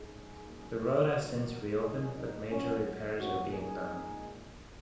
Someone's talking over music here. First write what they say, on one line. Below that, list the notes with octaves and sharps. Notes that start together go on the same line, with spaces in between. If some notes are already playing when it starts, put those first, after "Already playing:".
The road has since reopened but major repairs are being done.
Already playing: C#3 G#3 D#4 G#4
C#3 F#3 A#3
D#3 F#3 A#3 F#4 A#4
A#2 F#3 A#3 D#4 G#4
D#4
A#2 F#3 A#3 C#4
A#2 A#3 C#4 F#4
D#4 G#4
A#2 G#3